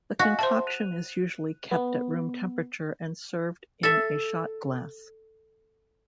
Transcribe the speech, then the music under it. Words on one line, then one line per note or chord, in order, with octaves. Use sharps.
The concoction is usually kept at room temperature and served in a shot glass.
F#4 D#5 F5 G#5
C5 E5 A5 C6
F#6 D#7 F7
B3
A4 E5